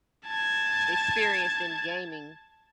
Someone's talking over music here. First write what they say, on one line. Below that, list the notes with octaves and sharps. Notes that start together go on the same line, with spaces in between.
experienced in gaming
A5 G#6